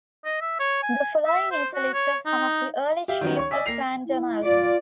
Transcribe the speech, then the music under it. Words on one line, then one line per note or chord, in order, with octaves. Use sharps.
The following is a list of some of the early chiefs of Clan Donald.
D#5
E5
C#5
G#5
E5
C5
F#4
C#5
D#4
G4 E5 F5
D#3 F#3 G3 C#4 D#4
C#5 C#6
D5 D#5 G#5 E6 B6
A#3 A#6 C7 F7
E4
F4 D5